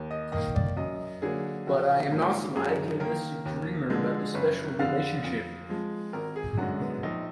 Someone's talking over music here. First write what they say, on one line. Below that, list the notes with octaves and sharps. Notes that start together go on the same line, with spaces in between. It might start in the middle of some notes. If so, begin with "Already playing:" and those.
But I am not some idealistic dreamer about the special relationship.
Already playing: D#2
D#5
D#3 A#3 D#5
D5
F#2 D#5
D3 F#3 A#3 G#4
A#1 F#4
G#2 F3 A#3
F#2 G#4
D#3 A#3 A#4
D#2
D3 F3 G#3
F#1 B4
F2 D3 F5
F2
F3 G#3
G#1 A#4
G#4
F#2 D3 G#3 F#4
B3
A#1 D#4